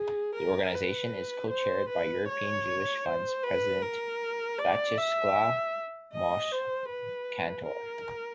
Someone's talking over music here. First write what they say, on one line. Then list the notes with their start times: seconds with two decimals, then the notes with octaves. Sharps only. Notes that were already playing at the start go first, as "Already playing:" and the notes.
The organization is co-chaired by European Jewish Fund President Viatcheslav Moshe Kantor.
Already playing: G#4
0.35 A#4
0.74 B4
1.51 C5
1.89 B4
2.28 C#5
3.05 C5
3.44 B4
3.82 A#4
4.59 D5
4.98 E5
6.14 D#5
6.52 C5
6.90 B4
7.67 A#4